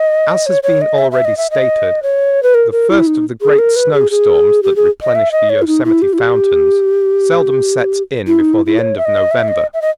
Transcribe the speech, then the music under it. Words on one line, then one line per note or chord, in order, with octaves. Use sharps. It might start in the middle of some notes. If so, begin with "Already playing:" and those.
As has been already stated, the first of the great snow-storms that replenish the Yosemite fountains seldom sets in before the end of November.
Already playing: D#5
C#5
C#5
D#5
E5
E5
D#5
E5
D#5
C#5
B4
A#4
A#4
E4
D#4
G#4
A#4
B4
G#4
G#4
G4
G#4
D#5
E5
D#5
C#5
E4
D#4
E4
G4
E4
G4
E4
D#4
E4
E4
C#5
E5
D#5
E5
D#5
E5
D#5